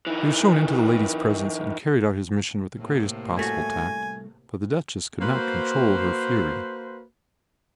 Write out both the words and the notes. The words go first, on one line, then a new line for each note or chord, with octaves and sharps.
He was shown into the lady's presence and carried out his mission with the greatest possible tact, but the Duchess could not control her fury.
E3 D#4
A2 C3 A#3
C2 A3 F#4 G#5
A#3 F#4 B4 C5